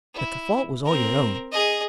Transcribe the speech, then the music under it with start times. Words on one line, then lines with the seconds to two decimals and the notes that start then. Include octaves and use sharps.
But the fault was all your own.
0.14 E4
0.85 C4 A#4
1.52 G#4 D#5